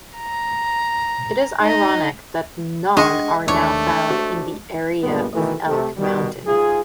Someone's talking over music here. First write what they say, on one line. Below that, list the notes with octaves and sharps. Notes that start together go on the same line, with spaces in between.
It is ironic that none are now found in the area of Elk Mountain.
A#5
D#4 D#5
G#3 D4 G#4 D#5 F#5 G5 C#6
D#2 A3 D4 C#5
F#4 C5 D#5
C#2 G2 A#2 G#3 B3
B2 D#3 E3 A3
C3 A3
B2 D#3 G3
G#2 F4 G#4